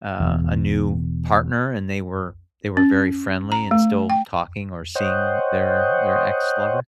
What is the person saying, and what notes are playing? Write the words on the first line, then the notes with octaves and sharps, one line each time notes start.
uh, a new partner and they were they were very friendly and still talking or seeing their their ex-lover?
E1 E2
C#4
A#5
A3
G5
C5 C#5 D#5 F#5 G5